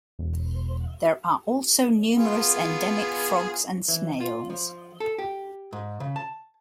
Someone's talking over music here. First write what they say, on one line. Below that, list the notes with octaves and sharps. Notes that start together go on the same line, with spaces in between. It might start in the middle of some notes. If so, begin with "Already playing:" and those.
There are also numerous endemic frogs and snails.
E1
B3 F4 G#4
E3
F4
F3
A4
G4
G#2
C#3
A5